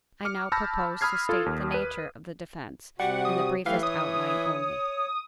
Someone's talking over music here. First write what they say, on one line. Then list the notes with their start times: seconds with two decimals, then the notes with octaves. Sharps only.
I now propose to state the nature of the defense in the briefest outline only.
0.25 D6 F6 C#7
0.52 A5 B5 E6 F6 G6 A#6
1.01 B5 D#6 F6 G#6 C7
1.29 F4 A4
1.46 D#2
1.72 B4 D#7
3.00 C3 G3 F#4 F#5
3.25 D#6
3.66 E3 F#3 A3 G4 F5
3.83 C#5 D#6